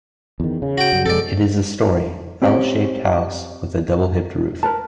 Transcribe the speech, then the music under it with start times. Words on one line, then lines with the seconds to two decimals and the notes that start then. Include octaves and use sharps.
It is a -story, L-shaped house with a double hipped roof.
0.40 E2 D#3
0.62 C#3
0.78 F#4 G5
0.92 F#2 C#3 G3
1.06 F2 C3 G#3 A4 D5
2.42 C4 C#4 G4
4.63 A#4 B4 A5